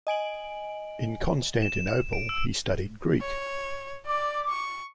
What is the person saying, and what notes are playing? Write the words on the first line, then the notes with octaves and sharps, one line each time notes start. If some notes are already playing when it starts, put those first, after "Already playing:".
In Constantinople he studied Greek.
D#5 G#5 D7 F#7
E7
D7
E6
C#5
D5 D6
C#6